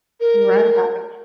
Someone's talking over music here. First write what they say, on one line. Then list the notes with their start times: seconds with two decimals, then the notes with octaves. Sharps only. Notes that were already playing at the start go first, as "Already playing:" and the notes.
You're right about it.
0.20 A#4